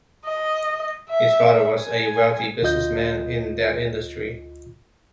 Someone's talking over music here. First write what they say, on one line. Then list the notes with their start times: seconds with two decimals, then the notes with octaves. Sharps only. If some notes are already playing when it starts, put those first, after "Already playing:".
His father was a wealthy businessman in that industry.
0.25 D#5
1.10 E5
1.80 G#5
2.62 D2 F4 D#5 G6